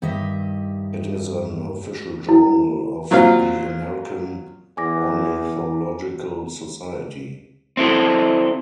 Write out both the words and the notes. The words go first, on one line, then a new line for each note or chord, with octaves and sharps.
It is an official journal of the American Ornithological Society.
G2 D#3 G4 D#5 E5
E4
A#2 F#3 C4 F4 F5
E2 G#5 D6 A#6
C4 E4 A4